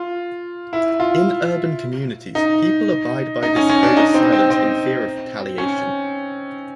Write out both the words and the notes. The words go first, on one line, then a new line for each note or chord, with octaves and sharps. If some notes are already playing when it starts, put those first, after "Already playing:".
In urban communities, people abide by this code of silence in fear of retaliation.
Already playing: F4
E4
F4
D#4
D#4
C#4
C#4
D4
D#4
C4
C4
C4
C#4